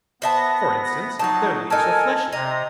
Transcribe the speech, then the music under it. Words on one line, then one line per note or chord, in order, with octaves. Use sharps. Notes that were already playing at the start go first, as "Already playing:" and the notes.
For instance, their leaves are fleshy.
B3 C5 E5 A5 A#6
F3 F#3 A#3 D#4 A5
D#4 A4 A#4 G#5 A5
C3 D#5 A#5